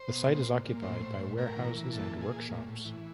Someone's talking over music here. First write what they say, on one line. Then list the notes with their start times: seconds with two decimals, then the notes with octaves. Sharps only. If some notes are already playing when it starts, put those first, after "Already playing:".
The site is occupied by warehouses and workshops.
Already playing: C5
0.09 B2
0.27 A#2
0.45 A#2
0.64 A#2
0.82 A2 C5
1.00 A2
1.19 A2
1.37 A2 A#4
1.56 E3
1.74 E3
1.92 A#2 A4
2.12 A#2
2.21 G#4
2.30 A#2
2.49 A2
2.67 A2
2.85 E3